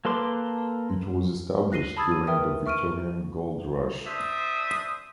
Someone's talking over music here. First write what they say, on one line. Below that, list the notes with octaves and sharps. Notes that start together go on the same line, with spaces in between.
It was established during the Victorian Gold Rush.
A#3 A4 B4 C6 D6
F#6 A#6 C7 D#7 G7
A5 B5 D#6 E6 G#6 A6
D#7
A#4 B4 E5 G5 D#6
E5 C#6 F6 D7 D#7
D4 C5 E5 D#6